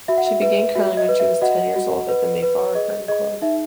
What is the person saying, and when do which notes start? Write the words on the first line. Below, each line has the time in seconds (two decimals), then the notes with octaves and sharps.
She began curling when she was ten years old at the Mayflower Curling Club.
0.08 F#4 E5
0.18 F#5
0.27 E5
0.42 B4 E5
0.75 F#4 E5
0.97 D#5
1.09 B4
1.20 E5
1.42 F#4 D#5 F#5
1.75 F#4
2.09 B4
2.42 B4
2.75 G#4 D#5
3.08 G#4 D#5
3.42 D#4 E5